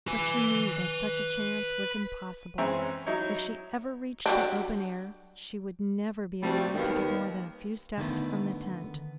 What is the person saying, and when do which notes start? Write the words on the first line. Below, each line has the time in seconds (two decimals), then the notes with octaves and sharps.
But she knew that such a chance was impossible; if she ever reached the open air she would never be allowed to get more than a few steps from the tent.
0.08 B4 G#5
2.58 E3 G#3 C4 C#4 E5 A#5
3.06 F#3 D#4 E4 C#5
4.26 F#3 G3 D4
6.43 G3 A3 C4 F#4
6.74 D#2 D#3 G3 B3
7.97 D3 D#3 A3 B3